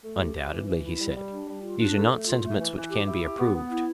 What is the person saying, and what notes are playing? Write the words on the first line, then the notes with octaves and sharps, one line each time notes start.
Undoubtedly, he said, these are not sentiments which can be approved.
A3
G4
G4
E3
E3
E4
G3
G3
D4
G3
F4
D4
A3
A3
F4
A3
E3
E3
G4
E4
G4
B3
B3
E4